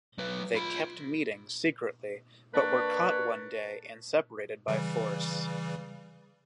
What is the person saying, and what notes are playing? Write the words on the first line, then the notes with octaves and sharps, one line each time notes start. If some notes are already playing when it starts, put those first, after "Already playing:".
They kept meeting secretly but were caught one day and separated by force.
F#3 B4
F4 B5
A#3 D4 B4 C#5
C#3 E3 G3